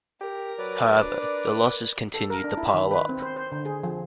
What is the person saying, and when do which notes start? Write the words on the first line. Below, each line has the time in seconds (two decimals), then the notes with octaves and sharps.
However, the losses continued to pile up.
0.21 G4 A#4
0.59 F#3 B4 D5
1.02 D4 A#4
2.14 A4
2.30 A#4
2.44 D4
2.57 E4
2.74 D#3
2.91 B4
3.09 C4
3.22 C5
3.36 C5
3.52 D3
3.66 G#4
3.83 F3